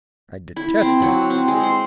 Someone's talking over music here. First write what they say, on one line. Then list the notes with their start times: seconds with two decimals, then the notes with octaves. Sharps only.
I detest him!
0.56 E4
0.81 C4
1.02 F#3
1.30 C4
1.48 G#3
1.63 C5